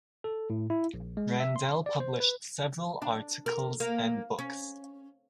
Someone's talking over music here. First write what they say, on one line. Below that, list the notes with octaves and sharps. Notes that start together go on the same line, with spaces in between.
Randell published several articles and books.
A4
A2
E4
A#1
G#3
E5
C6
D5
C5
B4
D4
A#4
A#3
C#4